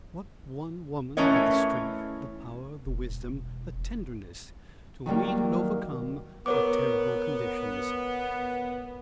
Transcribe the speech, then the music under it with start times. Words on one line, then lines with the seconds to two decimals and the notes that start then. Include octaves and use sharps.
What one woman had the strength, the power, the wisdom, the tenderness, to meet and overcome the terrible conditions?
1.17 E3 A3 C#4 A#4 C#5 D#5
2.86 E1
5.06 D#3 F#3 G3 A#3
6.46 B3 A#4 C#5 D6